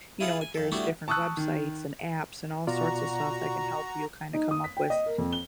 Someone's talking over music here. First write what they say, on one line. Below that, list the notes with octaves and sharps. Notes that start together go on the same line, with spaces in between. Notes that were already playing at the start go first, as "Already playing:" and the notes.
you know, there's different websites, and apps, and all sorts of stuff that can help you kinda come up with
E4 F4 G#4 B4 F#5
G#5
F2 A4
G3 A3 B3 D4 E4 F#4
A5 C#6 D#6 E6 F#6
D#3
B2 F4 F#4 D5 A#5
D#4
D#6
B6
G5
D#5
A#4
F2
G7